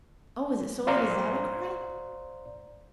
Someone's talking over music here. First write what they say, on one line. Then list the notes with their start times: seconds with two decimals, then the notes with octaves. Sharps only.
"Oh, is it so late as that?" I cried.
0.87 C5 D5 F5 A#5 C6